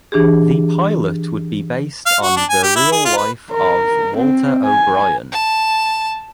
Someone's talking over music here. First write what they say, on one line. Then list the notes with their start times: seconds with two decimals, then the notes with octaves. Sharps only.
The pilot would be based on the real life of Walter O'Brien.
0.12 E3 D4 G4 G#4
2.06 F5
2.22 F#4
2.37 D4
2.49 G#5
2.63 G4
2.76 E4
2.92 G#4
3.05 F4
3.17 B4
3.53 A#4
4.18 C4
4.66 G#5
5.32 A5